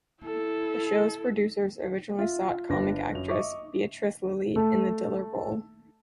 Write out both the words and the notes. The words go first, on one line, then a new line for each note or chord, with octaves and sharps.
The show's producers originally sought comic actress Beatrice Lillie in the Diller role.
E4 A4
F4 E5
G1 D4 B4 A#6
F#2 F7
D#5 E5 C#6 D6
A3